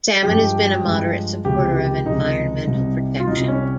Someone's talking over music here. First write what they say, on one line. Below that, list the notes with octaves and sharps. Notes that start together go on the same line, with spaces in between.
Salmon has been a moderate supporter of environmental protection.
G2 F3 G#3 G4
G2 F3 G#3
C#2 C3 F3 G#3 G4
G4
C#2 C3 F3 G#3 D#4
C2 C3 G3
F4
C2 C3 G3 D#4
C#4